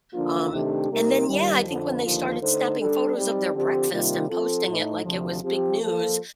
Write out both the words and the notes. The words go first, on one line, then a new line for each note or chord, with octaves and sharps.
Um, and then, yeah, I think when they started snapping photos of their breakfast and posting it like it was big news.
D3 F3 A#3 D4 F4
C3 D#3 A3 D4 G4
C3 G3 A#3 D#4 A#4
D#2 D#3 G3
F2 D3 F3
D#2 D3 F3 A#3 F4
D3 A3 D#4 A4 C5
G3 D4 A4 D5
G3 C4 D#4 G4 D5
D3 F3 C4 G4 D5
C3 D#3 G3 A#3 F4
F3 C4 F4 A4
A2 A3 D#4
D2 C3 F3
F3 C4 G4
F3 A#3 F4 A4